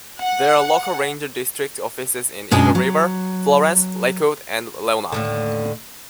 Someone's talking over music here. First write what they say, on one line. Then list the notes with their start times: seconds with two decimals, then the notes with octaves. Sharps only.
There are local ranger district offices in Eagle River, Florence, Lakewood, and Laona.
0.19 F#5
2.51 F#2 B2 G#3 D4 G#4
2.75 F#3
5.12 D#2 A2 D3